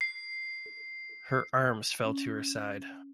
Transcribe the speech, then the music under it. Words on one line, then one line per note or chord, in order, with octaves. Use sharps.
Her arms fell to her side.
C7
C#4